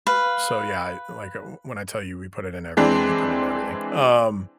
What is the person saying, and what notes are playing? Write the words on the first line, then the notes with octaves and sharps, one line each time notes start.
So, yeah, I like, w when I tell you we put it in everything, we put it in everything. Um,
B4 F5
E3 G#3 C4 D4